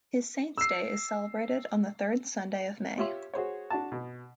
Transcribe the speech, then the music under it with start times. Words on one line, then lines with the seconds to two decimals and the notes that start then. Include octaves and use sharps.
His saint's day is celebrated on the third Sunday of May.
0.58 E6 C7
2.98 F4 G4 C#5 E5 C6
3.34 F#4 G#4 C5 C#5
3.70 D4 F#4 A5
3.92 B2